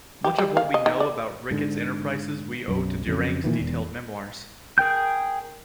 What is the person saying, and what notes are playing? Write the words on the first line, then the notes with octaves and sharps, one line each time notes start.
Much of what we know about Ricketts's enterprises we owe to Durang's detailed memoirs.
G4
G3
F5
D#5
D#3
D5
G#2 D3
B1 F#2
F2 C#3 F#3
A#2 D#3 E3
E1 E2
G#4 A#4 G5 G6